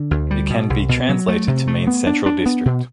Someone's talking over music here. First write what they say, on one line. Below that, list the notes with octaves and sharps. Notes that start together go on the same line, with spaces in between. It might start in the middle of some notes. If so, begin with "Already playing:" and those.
It can be translated to mean central district.
Already playing: D3
D2
G3
B2
C2
B2
F#3
A3
C3
A3
B3
D4
D4
B3
B2